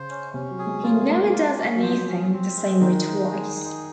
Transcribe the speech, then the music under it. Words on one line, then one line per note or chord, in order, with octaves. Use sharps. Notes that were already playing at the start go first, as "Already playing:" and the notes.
He never does anything the same way twice.
Already playing: C#3 C5
C#4
C3 C#4
F#3
G#4
G#3
A#3 F4
A#3
G#3
A#3
G#3
F4
C#4
F#3
F3 C5
C#4
C4
G#3
D#3 D#4
G#3
G#4
D#4